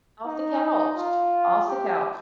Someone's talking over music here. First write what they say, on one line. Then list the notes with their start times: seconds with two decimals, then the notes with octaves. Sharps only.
Off the couch. Off the couch.
0.26 D#4
0.97 F4
1.68 G4